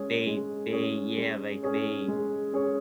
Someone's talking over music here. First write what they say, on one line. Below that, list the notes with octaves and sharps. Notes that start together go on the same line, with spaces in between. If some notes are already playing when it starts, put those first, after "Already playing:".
they they yeah, like, they
Already playing: G#3 C#4 G#4 C#5
G#3
C#4 G#4 C#5
G#3
C#4 G#4 C#5
G#3
C#4 G#4 C#5